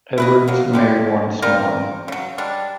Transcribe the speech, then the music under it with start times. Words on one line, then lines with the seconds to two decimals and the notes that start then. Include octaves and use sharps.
Edwards married once more.
0.18 E4 B4 D#5
0.48 F#3 A#3
0.73 G3 G#3 G4
1.42 G3 C4 F4 A#4
2.08 C#3 F#3
2.38 G3 G#3 D4